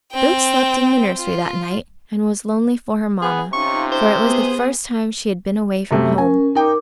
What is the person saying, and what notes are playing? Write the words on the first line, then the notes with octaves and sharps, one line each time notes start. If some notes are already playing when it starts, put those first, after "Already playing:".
Boots slept in the nursery that night and was lonely for her Mamma, for it was the first time she had been away from home.
C4 G5
F4
B3 G#4
C3 C#4 D#4 F4 C#6
C5
B3 G#4
F#2 C3 A3
C#4 A#4 G#5
D#4 A#4 G5 D6